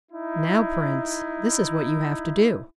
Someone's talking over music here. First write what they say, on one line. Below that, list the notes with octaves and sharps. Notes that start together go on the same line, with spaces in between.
'Now, Prince, this is what you have to do.
D#4 E4